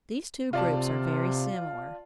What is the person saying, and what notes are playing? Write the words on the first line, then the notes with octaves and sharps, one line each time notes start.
These two groups are very similar.
C3 F4 D5 A5